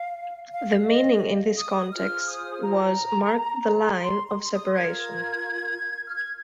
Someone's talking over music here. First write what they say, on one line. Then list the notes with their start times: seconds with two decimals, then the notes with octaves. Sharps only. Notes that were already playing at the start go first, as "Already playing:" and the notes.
The meaning in this context was "marked the line" of separation.
Already playing: F5
0.52 F5
0.88 D#5
1.58 D#6
1.93 F4 G#4 C5 F6
2.28 D#6
2.64 A#5
4.04 C6
4.28 C6
4.44 C6
4.52 D#6
4.75 F4 A#4 G#6
6.07 F6
6.16 G#6